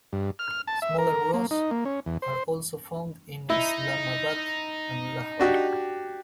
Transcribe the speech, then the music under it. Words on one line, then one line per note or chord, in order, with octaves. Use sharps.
Smaller bureaus are also found in Islamabad and Lahore.
G2
F6
A5
E5
A#4
A#3
D#4
A#3
C#4
E2
C5
D#4 E4
D4 F#4 G4